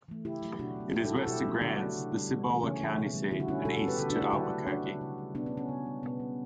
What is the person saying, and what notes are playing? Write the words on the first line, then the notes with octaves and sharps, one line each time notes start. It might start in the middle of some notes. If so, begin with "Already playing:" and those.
It is west to Grants, the Cibola County seat, and east to Albuquerque.
E3 A3
C#3 E4 G4
F#3 A3
B2 D4 F#4
F#3 A3
B2 E4 G4
F#4 A4
G3
F#4 A4
B2 E4 G4
F#3 A3
D3 D4 F#4
A3
C#3
G3
C#3
E3 A3
C#3 C#4
E3 A3
B2
G3
D3 E4
F#4
G3 C#4 E4
B2 F#4 A4
F#4 A4
G3
G4 B4
D3 F#4 A4
D4 F#4
A3
E4 G4
C#3 D4 F#4
F#3 A3
C#3 D4 F#4
G3
C#3
G3
B2 B3 D4
C#4
G3
C#4
C#3
G3
B2 B3
G3